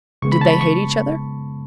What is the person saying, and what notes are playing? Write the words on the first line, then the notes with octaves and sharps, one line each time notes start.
Did they hate each other?
C#2 C#3 G#3 B3 C#6
B5
A5
C#6
B5
C#6